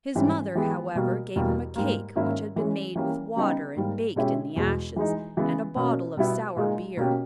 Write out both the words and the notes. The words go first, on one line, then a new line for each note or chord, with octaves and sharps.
His mother, however, gave him a cake which had been made with water and baked in the ashes, and a bottle of sour beer.
G#2 E3 G3 C#4
E3 G#3 B3 G4
B2 G3 A#3
E2 B2 G3 A#3
G#2 G3 A#3
G#2 D#3 A#3 C#4 E4
E3 G#3 C#4
E3 A#3 C#4 G4
C#3 G3 B3 D#4 G4
G#2 G3 A#3
B2 G#3 C#4 E4 G4
E2 B2 G#3
E3 G#3 D#4
C#3 E3 G#3 B3
B2 A#3 C#4
B2 G3 B3 E4
A#2 G#3 D#4
B2 A#3 C#4 G4